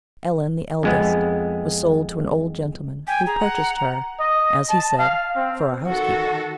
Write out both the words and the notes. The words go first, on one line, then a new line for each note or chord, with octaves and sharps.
Ellen, the eldest, was sold to an old gentleman, who purchased her, as he said, for a housekeeper.
F2 G#3 B3
G5 G#5
G#4 A#5
F#5
D#5
A5
F5
C4
D#3 F#4 A4 F#5